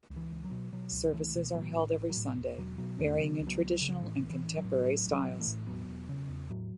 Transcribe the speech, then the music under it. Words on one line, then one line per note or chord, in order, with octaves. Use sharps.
Services are held every Sunday, varying in traditional and contemporary styles.
C#2
E3
C#2
F#3
B2
B2 F#3
C#2
C#2 E3 A3
B2
A2 F#3 B3
A1
A1
F#3
A2
E1
E1 F#3
B2 F#3
E2 A3 C#4
C#3 F#3 B3
C#2
F#3 B3
C#2
F#3
C#3
A2 E3
A1
E3
A1
F#3
A2
A2 F#3
A1
F#3
A1
E3 A3
A2
E1 F#3 B3
E1
C#3
E2
A2 F#3